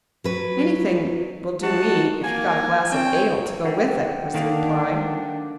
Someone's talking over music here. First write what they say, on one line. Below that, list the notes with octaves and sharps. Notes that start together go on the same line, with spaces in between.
"Anything will do me, if you've got a glass of ale to go with it," was the reply.
F#3 B4
D#4 F#4 A5
A#3 G#5
C4 C#5 G5
D3 F#5 G5
D3 D#3 A#3 D4